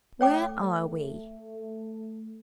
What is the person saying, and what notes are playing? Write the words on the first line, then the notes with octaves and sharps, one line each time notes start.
'Where are we?
A3 C#5 G5 D6